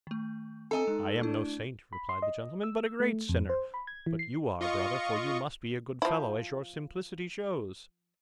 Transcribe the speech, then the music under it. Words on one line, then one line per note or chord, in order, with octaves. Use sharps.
"I am no saint," replied the gentleman, "but a great sinner; but you are, brother, for you must be a good fellow, as your simplicity shows."
D#3 A3
C4 A4 D#5 G#5 A#5
G#3 D#4
A3 D4 E4
B5
C6
D#5
E6
A3
F2
C5
B5
G#6
E3
C7
F4 D#5 C#6
F3 E4